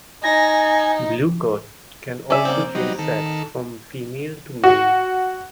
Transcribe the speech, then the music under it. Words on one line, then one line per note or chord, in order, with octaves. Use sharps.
Blue cod can also change sex from female to male.
D#4 G#5 A#6
C#3 C#4 D5 E5
A#3 C4
F#3 G3 D#4
D#3 A4
F#4